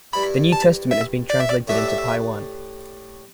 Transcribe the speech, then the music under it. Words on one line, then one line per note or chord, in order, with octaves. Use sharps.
The New Testament has been translated into Paiwan.
G2 G3 E4 B5
A5
E5
D5
E5
D5
A2 A3 G4 B4 D5 E5